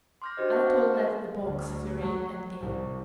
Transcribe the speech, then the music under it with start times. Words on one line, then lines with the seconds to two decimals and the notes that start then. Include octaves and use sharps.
Anatole left the box, serene and gay.
0.22 C6 D6 F6 G6 A#6
0.37 D4 F#4 G4 C5 D#5
0.52 F#5 A5 C6 C#6 F6 G6
0.65 C5 F5
0.79 B4
0.94 A#4 E5 F#5
1.41 D2
2.00 F#3
2.60 C2